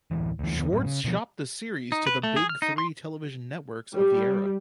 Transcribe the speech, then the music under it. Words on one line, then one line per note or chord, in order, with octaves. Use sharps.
Schwartz shopped the series to the "big three" television networks of the era.
D1 G#1 E3
D2 E3
D#2 D3 E3 B3
F#1 A2 F#3
C#3
B2 D#3 F3
D#4
B4
A3
G#4
F6
D#4
C6
G3